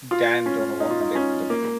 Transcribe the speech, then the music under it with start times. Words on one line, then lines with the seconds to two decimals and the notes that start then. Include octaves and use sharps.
Dan Donovan left the group.
0.11 F4
0.46 C#4
0.80 D#4
0.91 F4
1.00 D#4
1.15 C#4
1.50 A#3